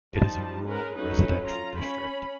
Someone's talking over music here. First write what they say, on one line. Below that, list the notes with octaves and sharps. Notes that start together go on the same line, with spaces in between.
It is a rural, residential district.
F3 G3 D#4 A5
G#3 C#4 A#4 B4
F#3 A3 C#4 D#4 B4
C#4 F4 A#5
C#4 B5